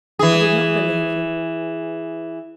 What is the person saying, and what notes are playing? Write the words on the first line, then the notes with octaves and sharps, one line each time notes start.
I did not believe you.
E3 G#4